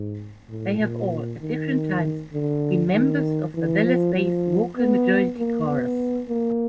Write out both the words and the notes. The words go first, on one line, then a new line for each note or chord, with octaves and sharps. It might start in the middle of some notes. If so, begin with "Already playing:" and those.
They have all, at different times, been members of the Dallas-based Vocal Majority chorus.
Already playing: G#2
A2
A#2
D#3
D3
D#3
E3
F3
F3
B3
A#3
B3
A#3